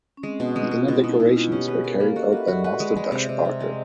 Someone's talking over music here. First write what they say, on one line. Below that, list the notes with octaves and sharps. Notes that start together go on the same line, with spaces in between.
The inner decorations were carried out by Master Dush Barka.
C#4
G#3 C4
B2
F#4
G#3
F4
G#3
B2 E4
B2 D#4
B2 E4
B2 F4
C#4 G4
B4
G#4
A#4 B4
A4
A#3
F#4 D#5
B4 E5
F#4
D5
D#5
B4
G#3 D5
G#3
D#5
C3
E5
C3
C4 E5
G#3 D#5